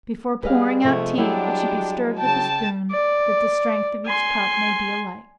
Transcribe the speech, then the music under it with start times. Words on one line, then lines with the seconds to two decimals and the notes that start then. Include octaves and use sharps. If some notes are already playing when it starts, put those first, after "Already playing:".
Before pouring out tea, it should be stirred with a spoon that the strength of each cup may be alike.
0.43 G3 G#4 B4 D#5 F5
0.84 C3 F3 G#3 A3
1.17 F#3 G3 D4 E4 G4
2.20 C#3 G5 A5
2.91 D5
4.06 G#5 C6